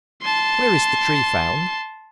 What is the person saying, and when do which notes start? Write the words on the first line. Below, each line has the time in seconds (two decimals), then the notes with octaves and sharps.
Where is the Tree found?
0.22 A5 C6